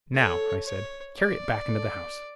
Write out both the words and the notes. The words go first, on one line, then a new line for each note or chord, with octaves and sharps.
"Now," I said, "carry it back into the house."
A4 C#5
C#5
D5
A4